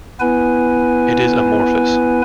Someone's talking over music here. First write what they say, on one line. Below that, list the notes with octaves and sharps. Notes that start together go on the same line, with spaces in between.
It is amorphous.
B3 E4 B4 G#5